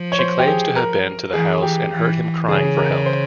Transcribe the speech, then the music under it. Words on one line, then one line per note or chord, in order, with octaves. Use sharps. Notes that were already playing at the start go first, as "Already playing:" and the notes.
She claims to have been to the house and heard him crying for help.
Already playing: F3
C#5
C5
G4
G#4
A#4
E3 G#4
E3 G4
E3
C#3 G#4
A#4
C5